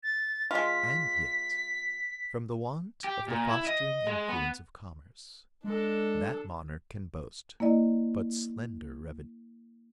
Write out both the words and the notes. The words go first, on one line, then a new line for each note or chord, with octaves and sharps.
And yet, from the want of the fostering influence of commerce, that monarch can boast but slender revenues.
A6
G#3 F4 B6
G4
A#2
E4
D#5
G#3
B3
G#3 D4 A4
A#3 E4 D5 D#5